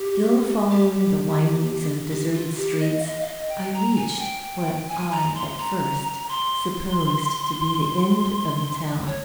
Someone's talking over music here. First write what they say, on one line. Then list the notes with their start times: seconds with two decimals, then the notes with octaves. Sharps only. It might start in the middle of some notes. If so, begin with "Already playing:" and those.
Still following the windings of the deserted streets, I reached what I at first supposed to be the end of the town.
Already playing: G4
0.71 G4
2.10 G4
2.34 F4
2.57 G4
2.80 D#5
3.00 F5
3.03 D#5
3.21 F5
3.26 D#5
3.49 G5
3.73 A#5
3.96 G#5
4.19 G5
4.88 G#5
5.11 A#5
5.35 C6
5.59 A#5
6.29 C6
9.07 C#5